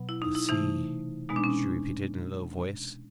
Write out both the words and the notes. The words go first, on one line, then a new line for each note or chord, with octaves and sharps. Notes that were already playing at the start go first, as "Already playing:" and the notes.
"The sea," she repeated in a low voice.
Already playing: B2 F#3 B3
E4
D#4
E4
C3 E3 A3 D#4
B2 G#3 B3 D#4
D4
C#4